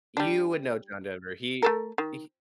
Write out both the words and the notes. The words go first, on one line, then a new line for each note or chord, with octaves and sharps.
You would know John Denver. He h
G3 D4
A3 A4 A#4
D#3